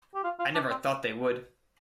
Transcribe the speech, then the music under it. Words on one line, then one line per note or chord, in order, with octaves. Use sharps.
I never thought they would.
G4
F4
F4
D4
C4